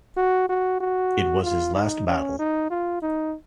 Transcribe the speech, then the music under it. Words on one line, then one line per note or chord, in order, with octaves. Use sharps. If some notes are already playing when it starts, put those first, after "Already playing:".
It was his last battle.
F#4
F#4
F#4
F4
D#4
C#4
D#4
F4
D#4